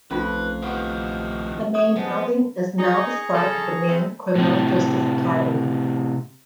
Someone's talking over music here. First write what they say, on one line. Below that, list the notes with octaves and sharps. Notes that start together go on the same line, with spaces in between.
The main building is now the site of the Maine Criminal Justice Academy.
B1 F2 A3 C#4 D#4 F4 B4 F5
D#3 F3 B3 G4
C#5 D#6
F3 G#3 B3
D#4 G#4 A#5 C#6
C#3 A4
G#3 A3 C4
A2 C3